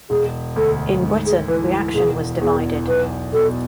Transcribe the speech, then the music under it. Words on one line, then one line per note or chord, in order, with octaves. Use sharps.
In Britain, reaction was divided.
E1 G#4
D2 A4
G#2
G#4
E3 B4
E1 G#4
E2 G#4
B1 B4
B2 A4